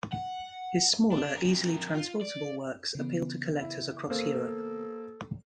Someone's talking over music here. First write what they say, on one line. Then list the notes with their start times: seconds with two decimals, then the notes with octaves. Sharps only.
His smaller, easily transportable, works appealed to collectors across Europe.
0.12 F#5
1.11 D4
1.36 F2 A#4
1.95 F4
2.21 D5
2.95 C#3 E3 B3
3.61 E4
4.10 A#3 A4 C5